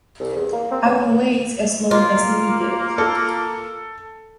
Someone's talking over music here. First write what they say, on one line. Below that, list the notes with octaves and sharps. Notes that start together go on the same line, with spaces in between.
I will wait as long as needed.
C2
E2
A#3
C4
C#4
A#3 F4
A4